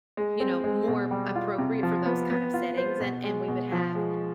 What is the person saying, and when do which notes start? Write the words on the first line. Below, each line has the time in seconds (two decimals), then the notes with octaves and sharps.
you know, more appropriate for those kind of settings, and and we would have,
0.17 G#3
0.40 C4
0.64 G#3
0.88 B2
1.11 G3
1.35 F4
1.58 C3
1.83 F3
2.06 B3
2.30 B3
2.54 F4
2.77 C5
3.00 B2
3.24 G#3
3.48 B2
3.72 F3
3.95 G#3